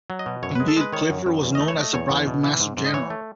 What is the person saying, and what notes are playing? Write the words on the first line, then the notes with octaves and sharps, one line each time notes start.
Indeed, Clifford was known as 'the Bribe Master General'.
F#3
D#5
B2
F#2 C#5
G#3 B4
A4
G#3 B4
D#3 C#5
F#2
F#2
E2
D#5
A3
C#5
A3 D#5
E2 C#5
E2
B2
E3
G#2
G#2
D#5
E3 C#5
A3